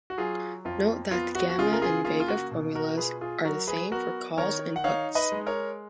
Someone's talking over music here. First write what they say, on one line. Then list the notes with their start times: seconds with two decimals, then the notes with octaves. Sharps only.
Note that the gamma and vega formulas are the same for calls and puts.
0.10 F#4
0.18 F#3 F4 G#4
0.65 F2 F4
1.11 B3 F4
1.35 F#4
1.50 F#4
1.58 C#3 F4 G#4
1.73 A#4
1.82 F4 G#4
2.05 A#3 F4 G#4
2.20 F4
2.28 F#4
2.52 B2
2.75 F#4 A#4
2.98 F4 G#4 B4
3.21 F4 G#4
3.44 F#3 F#4 A#4
3.67 G#4 B4
3.92 B3 F#4 A#4
4.37 D#3 A#4 C#5
4.76 F#5
4.84 D#4 C#5 F5
5.15 B4 D#5
5.32 G#3
5.47 A#4 C#5